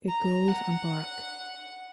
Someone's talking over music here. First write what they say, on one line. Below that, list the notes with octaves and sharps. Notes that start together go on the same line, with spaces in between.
It grows on bark.
A#5
F#5